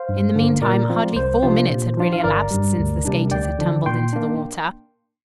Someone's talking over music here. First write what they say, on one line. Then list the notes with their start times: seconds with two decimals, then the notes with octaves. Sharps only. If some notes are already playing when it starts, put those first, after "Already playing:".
In the meantime hardly four minutes had really elapsed since the skaters had tumbled into the water.
Already playing: C5 F5
0.09 G2
0.35 D3 A#3
0.62 A#2 A#4 D5
0.89 F3 C4 F4
1.16 C2 C5
1.43 C3 F3 D4 F4
1.69 A#2
1.97 F3 D4 F4
2.13 F5
2.24 G1 A#4 D5
2.51 G2 G3
2.79 D2
3.05 C3 G3 D4
3.31 D2 D5 G5
3.59 D3 F3 D4
3.86 A#2 G5 C6
4.13 A#3 D4